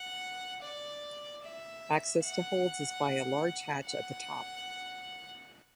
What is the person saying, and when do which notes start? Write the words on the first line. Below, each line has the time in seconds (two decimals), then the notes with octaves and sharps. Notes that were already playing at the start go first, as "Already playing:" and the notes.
Access to holds is by a large hatch at the top.
Already playing: F#5
0.62 D5
1.43 E5
2.23 F#5
3.85 F#5